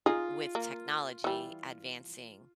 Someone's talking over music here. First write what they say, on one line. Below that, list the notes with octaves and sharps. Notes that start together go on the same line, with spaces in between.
with technology advancing,
D#4 F4 G#4
A#3
E3 G3